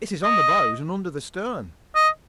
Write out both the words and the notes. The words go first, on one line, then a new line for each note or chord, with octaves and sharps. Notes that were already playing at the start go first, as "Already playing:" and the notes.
"It is on the bows and under the stern."
D#5
D#5